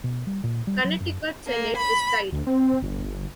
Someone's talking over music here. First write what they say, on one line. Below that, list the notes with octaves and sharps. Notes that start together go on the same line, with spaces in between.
Connecticut Senate is tied.
B2
G3
A#2
G3
F#3
F#2
A#3
B5
D2
C4
G1